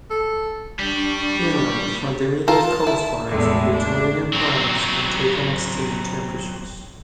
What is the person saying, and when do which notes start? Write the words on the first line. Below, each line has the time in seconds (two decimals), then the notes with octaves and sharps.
Inland from the immediate coastlines, Mediterranean climates can take on extreme temperatures.
0.10 A4
0.79 G3 D4 C#6
2.48 F4 A4 A#4 A5
2.87 E4
3.28 E2 A2 D3 G#3 A3
3.73 D4
4.33 F#3 C4